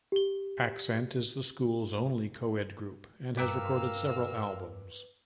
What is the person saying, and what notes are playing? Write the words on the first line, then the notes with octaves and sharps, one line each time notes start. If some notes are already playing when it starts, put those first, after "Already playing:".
Accent is the school's only co-ed group and has recorded several albums.
G4 G7
G2 A#4 B4 F5 G5 A#5 D6 E6